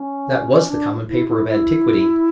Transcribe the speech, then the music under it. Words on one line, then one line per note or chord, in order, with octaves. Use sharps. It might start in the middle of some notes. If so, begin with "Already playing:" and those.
"That was the common paper of antiquity."
Already playing: C#4
D4
E4
E4
E4